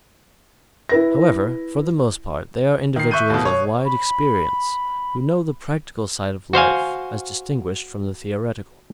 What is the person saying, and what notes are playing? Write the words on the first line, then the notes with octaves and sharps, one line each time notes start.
However, for the most part, they are individuals of wide experience who know the practical side of life as distinguished from the theoretical.
E4 B4 A#6
D#3 C7
E5 C#6 F#6 G6 D#7
D#2 B2
C#5
B5
F#4 C5 F5 G#5